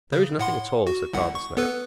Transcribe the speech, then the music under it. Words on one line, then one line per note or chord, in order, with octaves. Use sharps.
"There is nothing at all," said Father Snail.
C#3
A2 F#5 C6
F#4
G1 C2 F#5
C#6
B3 A4 B4